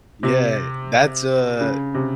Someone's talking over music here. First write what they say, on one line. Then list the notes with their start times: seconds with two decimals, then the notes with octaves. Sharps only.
Yeah. That's a
0.23 C3
1.61 C#3
1.95 C3